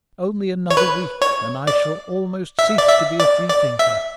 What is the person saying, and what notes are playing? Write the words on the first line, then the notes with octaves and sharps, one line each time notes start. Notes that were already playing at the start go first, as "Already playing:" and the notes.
Only another week and I shall almost cease to be a free thinker!
C#5
B4
C#5
D5
E5
D5
E5
D5
D5
E5